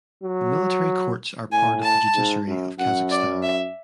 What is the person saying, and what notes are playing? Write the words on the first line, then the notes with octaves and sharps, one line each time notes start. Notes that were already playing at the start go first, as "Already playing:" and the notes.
The military courts are part of the judiciary of Kazakhstan.
F#3
A2 G#5
A5
G#2
F#2
F#2 F#5
D5
E5